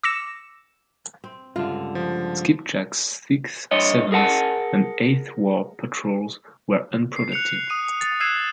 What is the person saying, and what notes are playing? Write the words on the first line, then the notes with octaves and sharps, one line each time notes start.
"Skipjack"'s sixth, seventh, and eighth war patrols were unproductive.
D6 E6 A#6 C#7 E7
C4
C#2 G2 D3 F4
F3
G2 C#5 D#5
G#4 A#4 F#5 A5
C7
F#6 C#7 F7
D#6 D#7
A6
E6 F#6 G#6 C7 D#7 E7